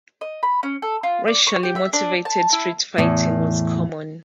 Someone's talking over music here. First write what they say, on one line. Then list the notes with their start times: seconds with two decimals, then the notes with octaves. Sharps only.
Racially motivated street fighting was common.
0.21 D#5
0.43 B5
0.63 C#4
0.82 A4
1.03 F4
1.28 D5
1.47 C#6
1.63 G4
1.76 E5
1.93 D4
2.25 A5
2.53 E4
2.98 E2 A2